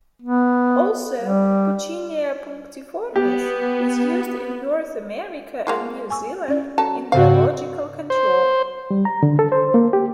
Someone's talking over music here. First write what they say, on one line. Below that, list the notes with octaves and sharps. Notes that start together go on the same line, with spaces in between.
Also "Puccinia punctiformis" is used in North America and New Zealand in biological control.
B3
G3
B3 G4
G#3 A#3 F4 F#5
G#5 C#6 E6
C#4 D5
F#3 A4 A5
G#2 C#3 C4 F#4 C5 F5
C5
G3
A#5
D3
A4
C5
A#3
G4